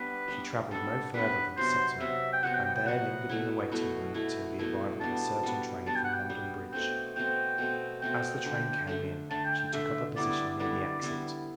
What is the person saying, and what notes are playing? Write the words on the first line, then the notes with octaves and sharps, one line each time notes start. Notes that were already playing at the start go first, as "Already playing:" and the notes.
She travelled no further than Sutton, and there lingered in the waiting room till the arrival of a certain train from London Bridge. As the train came in she took up a position near the exit.
Already playing: G3 B3 D4 B4
G3 B3 D4
G3 B3 D4 A4
G3 B3 D4 B4
C3 F#3 B3 C5
C3 F#3 B3 E5
G5
C3 F#3 B3 F#5
G5
G5
G5
C3 F#3 B3 F#5
B2 A3 E4
B2 A3 E4
B2 A3 E4
B2 A3 E4
G3 B3 D4 A5
G3 B3 D4
G3 B3 D4 A5
G5
F#5
G5
G3 B3 D4
B2 A3 C4 G5
B2 A3 C4 G5
B2 A3 C4
B2 A3 C4 G5
D3 A3 D4
D3 A3 D4
D3 A3 D4 A5
G5
G5
D3 A3 D4 E5
D3 G3 B3 E4 D5
D3 G3 B3 E4 D5
D3 G3 B3 E4